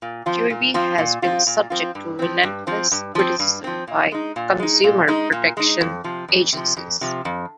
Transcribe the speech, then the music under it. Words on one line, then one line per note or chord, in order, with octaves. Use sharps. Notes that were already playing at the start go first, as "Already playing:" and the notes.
Kirby has been subject to relentless criticism by consumer protection agencies.
A#2
F3 C4 F4
A#2
F3 C4 F4
A#2
F3 C4 F4
A#2
F3 C4 F4
G2
F3 C4
G2
F3 C4
G2
F3 C4
G2
F3 C4
A#2
G#3 D#4
A#2
G#3 D#4
A#2
G#3 D#4
A#2
G#3 D#4
F2
C3 F3
F2
C3 F3
F2
C3 F3
F2